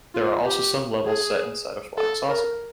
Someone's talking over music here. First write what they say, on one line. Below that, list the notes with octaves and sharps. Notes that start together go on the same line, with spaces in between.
There are also some levels set inside a flying saucer.
F4
G4
G#4
A4
A#4